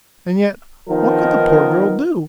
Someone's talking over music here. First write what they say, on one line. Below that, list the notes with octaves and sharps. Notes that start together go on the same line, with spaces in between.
And yet, what could the poor girl do?
D#3 F3 B3 D#4 A#4